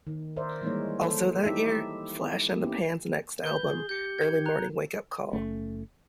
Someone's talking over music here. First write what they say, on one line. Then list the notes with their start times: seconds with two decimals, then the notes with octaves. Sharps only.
Also that year, Flash and the Pan's next album, "Early Morning Wake Up Call".
0.07 D#3
0.37 A#4 C5 D5 E5
0.62 E3 G3 G#3 A#3 D#4 C#5
1.01 A4 C5
1.44 D#4 E4 G4 E5
2.60 A#3 B3 C#4 E4 G4
3.44 B4 G6 G7
3.66 G#4
3.89 G4 G6 C#7
4.18 G#6
4.46 A#5 F#6
5.33 F#1 A3 C#4